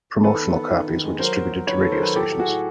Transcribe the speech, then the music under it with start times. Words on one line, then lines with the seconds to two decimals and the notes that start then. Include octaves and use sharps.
Promotional copies were distributed to radio stations.
0.23 D#3 A4 B4
0.40 B3
0.56 B3
0.71 D#3
0.88 D#3
1.04 G#3
1.19 F#3 A#4 C5
1.36 F#3
1.52 F#3
1.67 D#3 B4 C#5
1.80 A4 B4
1.83 D#3
1.91 A#4 C5
2.00 F#3 A4 B4
2.15 A2 G4 A4
2.31 F#3
2.39 F#4 G#4
2.47 A2